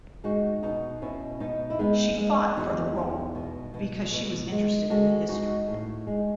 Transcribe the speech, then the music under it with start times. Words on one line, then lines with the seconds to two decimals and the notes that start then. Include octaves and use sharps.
She fought for the role because she was interested in the history.
0.24 G#3 D#4 F#4
0.63 B2 D#4 F#4
1.02 B2 C#4 E4
1.40 B2 B3 D#4
1.70 E4
1.79 G#3 B3 D#4
2.18 G#3
2.57 E2 D#4 F#4
2.96 E2
3.35 B2
3.74 B2
4.12 B2
4.52 G#3
4.90 G#3 F#4 A4
5.28 G#3 D#4 F#4
5.68 A2
6.07 G#3